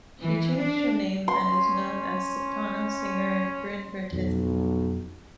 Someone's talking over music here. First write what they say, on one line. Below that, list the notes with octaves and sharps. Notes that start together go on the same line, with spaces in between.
She changed her name and is known as soprano singer Bryn Vertesi.
E3
D4
C#4 C6
B1 F2 F3